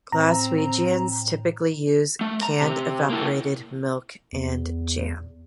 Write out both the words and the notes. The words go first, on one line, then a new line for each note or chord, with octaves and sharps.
Glaswegians typically use canned evaporated milk and jam.
A2 C4 A#5
A3
A#5
C3
A#3 E4
E2